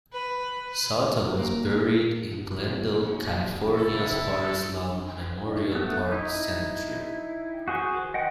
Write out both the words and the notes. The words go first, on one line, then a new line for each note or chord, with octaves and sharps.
Sawtell was buried in Glendale, California's Forest Lawn Memorial Park Cemetery.
B4
A#3
F#2 A#2 F#3
C#3 E4 A4
A3 B3
D#4 E4
F#4 G#4 C5 C#6
D#5 F#5 G5